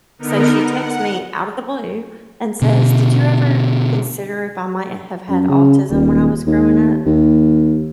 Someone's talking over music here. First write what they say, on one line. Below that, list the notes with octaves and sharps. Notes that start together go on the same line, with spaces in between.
so, she texts me out of the blue and says, "Did you ever consider if I might have had autism when I was growing up?"
D3 B3 D#4 A#4
F#5
B2 D3
F#2
C#3
D#1
D#2
D#2